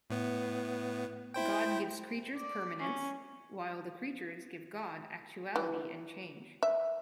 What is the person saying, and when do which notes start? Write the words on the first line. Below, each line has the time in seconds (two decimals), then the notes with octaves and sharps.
God gives creatures permanence, while the creatures give God actuality and change.
0.10 A2 B3
1.34 E4 C5 G5
2.37 D5
2.79 C#4
5.56 E3
6.63 E5